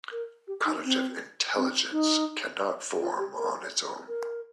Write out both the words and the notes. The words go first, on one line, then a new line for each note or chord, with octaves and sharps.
Cognitive Intelligence cannot form on its own.
A#4
G4
D#4
C4
C4
D#4
F4
G4
A#4
A#4